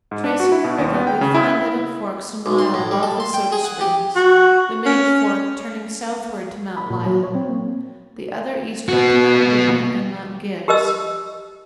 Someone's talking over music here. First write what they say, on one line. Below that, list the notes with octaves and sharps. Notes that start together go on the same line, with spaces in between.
Tracing the river, we find that it forks a mile above the Soda Springs, the main fork turning southward to Mount Lyell, the other eastward to Mount Dana and Mount Gibbs.
G#2
D4
F#4
E4
B2
D#2
B3
G5
C#3
E4
E4
B1
C6
A2
G3
A4
C6
G5
G#4
F#5
G4
F#4
C#4
B5
A#2
F#3
C#5
C4
A#3
B3 F#4
G4 A#4 D#5 E6